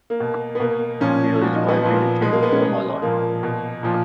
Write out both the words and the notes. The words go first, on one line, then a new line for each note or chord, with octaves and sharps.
I feel as if I have been a Jew all my life.
A#3
B2
B3
B2 A#3
A#2 F3 C#4
A#2 F3 F#4
D#4
B3
A#2 F3
B2 G#3
A#3
B3
C#4
B2 G#3
A#2 F3 A#3
B2
A#2 F3